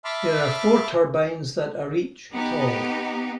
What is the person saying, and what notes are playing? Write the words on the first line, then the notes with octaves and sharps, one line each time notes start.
There are four turbines that are each tall.
E5 A5 B5 C6 D6 F6
B3 D#4 G4